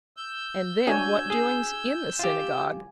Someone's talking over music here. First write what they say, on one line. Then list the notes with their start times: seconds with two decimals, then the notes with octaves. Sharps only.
And then what doings in the synagogue!
0.17 E6 G6
0.87 D4 F#4 C#5 G#5
1.30 G#4
2.19 F4 G4